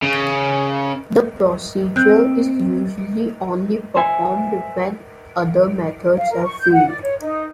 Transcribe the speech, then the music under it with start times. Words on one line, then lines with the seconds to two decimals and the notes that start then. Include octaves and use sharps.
The procedure is usually only performed when other methods have failed.
0.03 C#3
1.96 C4 F#6 G6
3.96 C5 E5 G#5
6.17 F5
6.30 A#4
6.43 C#6
6.60 G6
6.71 F#5
6.87 D5
7.01 C#5
7.20 D#4